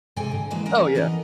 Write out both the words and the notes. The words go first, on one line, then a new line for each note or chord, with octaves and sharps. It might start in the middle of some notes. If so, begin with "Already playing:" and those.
Oh, yeah.
G#2 C3 A4 G5 G#5
D3
E3 F#3 G#3 A#3 B4
C#4 A#4 F#5
E3 B3 A4 A#4 D#5